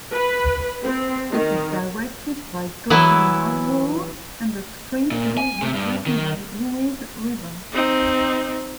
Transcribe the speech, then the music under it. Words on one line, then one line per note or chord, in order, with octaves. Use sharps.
It is directed by Godwin Mawuru and the screenplay was written by Louise Riber.
B4
C4
D#3
E3 F#3 B3 E4
A#2
G#5
C3
G2
D#3
C4 D#4